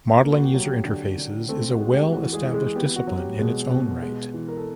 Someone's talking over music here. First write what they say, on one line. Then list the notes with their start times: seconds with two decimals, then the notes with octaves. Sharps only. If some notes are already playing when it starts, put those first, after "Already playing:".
Modeling user interfaces is a well-established discipline in its own right.
0.23 A#3
0.31 F#4
0.44 G4
0.54 F#3
0.64 G4
0.85 D3 G4
1.18 D3
1.49 A3 C4 A4
1.70 F#4
1.81 G#3
1.92 G4
2.11 E3 F#4
2.33 G#3 G#4
2.43 E3
2.54 G#3 G#4
2.75 B3 G4
2.96 F#4
3.07 F#3
3.18 G4
3.39 B2 G#3 G#4
3.71 B2
4.02 G#3
4.34 E3
4.48 A#4
4.57 A4